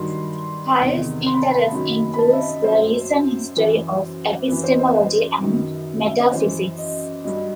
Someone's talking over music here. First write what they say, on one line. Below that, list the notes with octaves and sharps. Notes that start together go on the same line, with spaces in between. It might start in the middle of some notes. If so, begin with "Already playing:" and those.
Pyle's interest includes the recent history of epistemology and metaphysics.
Already playing: G2 D#3 F#3 C6
E2 C3 D#3
C6
B5
A5
B5
F#2 D#3 F#3
B5
A5
D#5
E5
D#5
F#2 F#3 C5
F#2 E3
F#2 E3 B4
C5
D#5
C5
B4
F#2 D#3 F#3
E5
D#5
F#2 E3 C5
D#5
G2 F#3 D#5